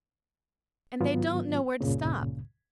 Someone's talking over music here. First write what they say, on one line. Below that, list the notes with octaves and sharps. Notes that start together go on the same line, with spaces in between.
And they don't know where to stop.
G#2 D#3 F#3 B3 F4
C#2 G2 A#2 C#3